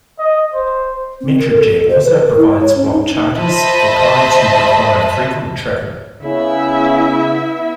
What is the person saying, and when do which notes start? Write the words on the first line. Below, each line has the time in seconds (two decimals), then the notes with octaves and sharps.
Metrojet also provides block charters for clients who require frequent travel.
0.19 D#5
0.54 C5
1.21 C4
1.38 A#4
1.56 A4
1.73 A4
1.89 C5
2.04 B4
2.24 A#4
2.36 E4
2.60 C#5
2.75 C#4
2.93 D#4
3.36 C5 D#5 E5 A5 B5
6.23 C#3 B3 E4 E5